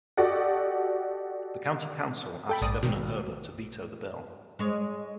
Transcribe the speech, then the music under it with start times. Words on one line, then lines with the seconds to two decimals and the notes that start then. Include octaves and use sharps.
The County Council asked Governor Herbert to veto the bill.
0.17 F#4 G4 A4 D5 D#5 F#5
2.49 A4 G5 B5
2.62 A#1 G#2 D5 D#6
2.83 B2 D#3
4.59 G#3 C#5